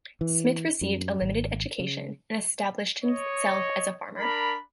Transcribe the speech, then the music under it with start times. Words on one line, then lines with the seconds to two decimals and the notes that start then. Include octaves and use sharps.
Smith received a limited education, and established himself as a farmer.
0.21 E3
0.81 F#2
1.22 G#1
1.79 C#3
3.04 C#5 D#5
4.18 D4 A#4 B5